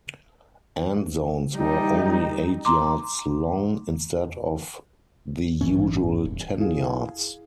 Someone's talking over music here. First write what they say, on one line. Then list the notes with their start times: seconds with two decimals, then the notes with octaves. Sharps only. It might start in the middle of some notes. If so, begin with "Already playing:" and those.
End zones were only eight yards long instead of the usual ten yards.
1.55 G3 D#4
2.65 A#5 C6 D6
5.61 A1 G2 E3 C#4
6.25 D#1
6.59 E4 G#4 F5